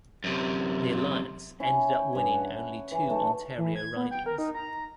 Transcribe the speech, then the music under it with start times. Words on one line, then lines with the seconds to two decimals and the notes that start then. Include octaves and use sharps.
The Alliance ended up winning only two Ontario ridings.
0.24 F#2 C3
1.60 C#4 E4 B5
1.92 G5
2.13 G2 G#5
2.34 F#5
2.91 E3
3.09 F#3 A3 D#4 A4
3.58 E3
3.76 G#6
3.96 B3
4.11 G5
4.26 A#4
4.38 D#4
4.54 A#5